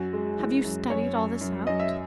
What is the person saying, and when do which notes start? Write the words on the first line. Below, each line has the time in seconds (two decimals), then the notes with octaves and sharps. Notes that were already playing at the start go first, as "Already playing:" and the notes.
"Have you studied all this out?"
Already playing: F#2 F#4
0.13 G#3
0.38 E3
0.64 F#2
0.90 F#2 C#5
1.15 F#2
1.41 F#2
1.67 F#2 D#5
1.80 E5